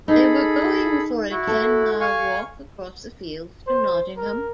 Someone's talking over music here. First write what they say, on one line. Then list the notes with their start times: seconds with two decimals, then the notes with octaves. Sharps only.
They were going for a ten-mile walk across the fields to Nottingham.
0.08 D#4 G#4 A4 B5
1.31 E4 F#4
1.47 A4
2.00 F5 G#5 C#6
3.67 C5
4.17 A#4